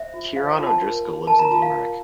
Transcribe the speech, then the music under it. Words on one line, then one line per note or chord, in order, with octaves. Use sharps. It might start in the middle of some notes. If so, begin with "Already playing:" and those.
Ciaran O’Driscoll lives in Limerick.
Already playing: C5 E5
F4
C5 F5
F4
A5
A#4
F4
A#4 A5
A#5
F4 A5
F5
A#4